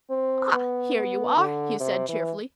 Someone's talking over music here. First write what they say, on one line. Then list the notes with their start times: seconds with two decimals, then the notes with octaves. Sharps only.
"Ah, here you are," he said cheerfully.
0.10 C4
0.52 B3
0.95 B3
1.37 D3
1.80 C3
2.08 E3